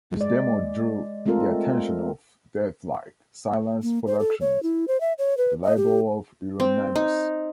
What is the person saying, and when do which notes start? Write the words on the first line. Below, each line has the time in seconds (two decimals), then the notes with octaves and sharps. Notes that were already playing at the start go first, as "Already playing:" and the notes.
This demo drew the attention of Deathlike Silence Productions - the label of Euronymous.
0.17 G#3 D5
1.26 G#3 A3 C4 F4 A4 A#4
3.83 A#3
4.07 C5
4.20 A4
4.41 C#5
4.63 E4
4.88 C5
5.01 E5
5.19 C#5
5.37 B4
5.63 D#5
5.77 G4
6.60 C4
6.96 D#4